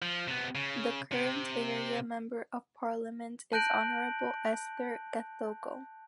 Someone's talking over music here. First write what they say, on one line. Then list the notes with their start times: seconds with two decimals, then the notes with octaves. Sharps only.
The current area Member of Parliament is Honorable Esther Gathogo.
0.02 F3
0.28 C3 B3
0.55 C#3
1.12 C3
3.53 A5 F#6 G6 A#6 D7 F#7